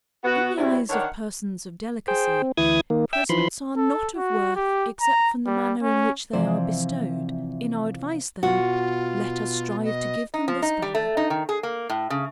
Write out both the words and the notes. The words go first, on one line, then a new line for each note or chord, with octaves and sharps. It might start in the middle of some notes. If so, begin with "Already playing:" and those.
In the eyes of persons of delicacy, presents are not of worth, except from the manner in which they are bestowed; in our advice, then, let us strive to give them this value.
B3 F#4
E2 C3 F#3 G3 E4
D3 D#3 D4 A#4 C#5 F#5
G#4 C5 G5
C4
D2 E3 E4 D#6 G#6
D#3 A#3
E5 G5 E6
E3 F3 B5 C6
A4
F#4
G4
A#5
G3
C#4
C3 E3 F3 C4 C5 D5
B2 F4 F#4
D#5
D#4
F3
D#4
G3
A3
D#4
D#3
G#4
A#3
A2
C#3